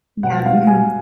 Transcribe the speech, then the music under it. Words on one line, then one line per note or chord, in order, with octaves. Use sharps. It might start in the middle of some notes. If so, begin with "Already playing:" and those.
Yeah, mhm.
B2 F#5
F5
B2
G#5
B2